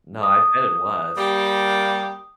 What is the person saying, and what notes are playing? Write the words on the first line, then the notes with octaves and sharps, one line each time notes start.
No, I bet it was.
D#6
G3 A#3 G4